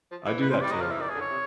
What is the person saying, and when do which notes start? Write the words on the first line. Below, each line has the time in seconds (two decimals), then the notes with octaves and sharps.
I do that too.
0.11 F3
0.26 E3
0.41 B4
0.51 C5
0.61 G3 D5
0.70 F#3 D#5
0.81 F3 F5
0.91 E3 E5
1.01 D#3 D5
1.10 G#4
1.15 D3
1.21 C#5
1.30 C3